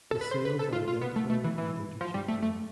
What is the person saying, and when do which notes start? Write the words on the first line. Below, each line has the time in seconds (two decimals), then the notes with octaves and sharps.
The sails are identical and interchangeable.
0.11 A4
0.21 B4
0.31 C5
0.45 B4
0.59 A4
0.73 F4
0.88 F4
1.01 B3
1.16 A3
1.30 A3
1.44 E3
1.58 E3
2.01 F3
2.14 G3
2.28 A3
2.42 A3